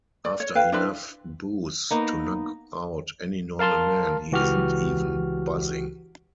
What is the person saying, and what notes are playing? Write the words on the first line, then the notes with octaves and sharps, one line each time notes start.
After enough booze to knock out any normal man, he isn't even buzzing.
D5
C#5
B4 F5 G5
D4 E4 B4 C5
A#3 B3 D#4
A#4 F5 A5 C6 F6
C#2 E3 F#4 G4 F6